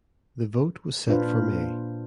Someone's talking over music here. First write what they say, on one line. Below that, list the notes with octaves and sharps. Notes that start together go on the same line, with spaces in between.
The vote was set for May.
A#2 D4 F4 B4 C5